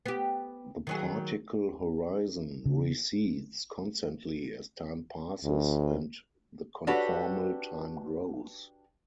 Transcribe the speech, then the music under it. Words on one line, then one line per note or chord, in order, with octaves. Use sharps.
The particle horizon recedes constantly as time passes and the conformal time grows.
B3 G4
D#3 F#3 G#4
C#3
D2
D4 F#4 G4 A4 B4 C#5